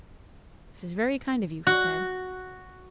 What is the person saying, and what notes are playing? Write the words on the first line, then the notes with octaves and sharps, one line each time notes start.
"This is very kind of you," he said.
F#4